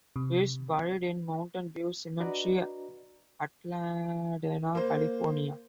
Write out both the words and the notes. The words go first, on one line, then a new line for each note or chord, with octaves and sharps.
He is buried in Mountain View Cemetery, Altadena, California.
C3
D4 F#4 B4 D5 D#5 A#5
A#3 C5